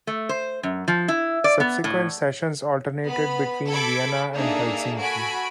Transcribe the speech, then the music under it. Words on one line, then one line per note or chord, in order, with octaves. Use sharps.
Subsequent sessions alternated between Vienna and Helsinki.
A3
C5
F#2
F3
E4
D5
B3
A2
B3 B5
A4 B5 D6 G#6
A#3 D4 D#4 G#4 A4 E5
F#4 A4 G#5 B5 D7